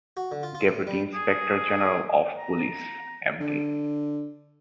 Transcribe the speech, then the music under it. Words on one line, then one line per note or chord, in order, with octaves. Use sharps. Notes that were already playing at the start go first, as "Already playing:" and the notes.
Deputy Inspector General of Police Md.
F#4
D3
F4
F4
A2
G3
G#4
A#5
D3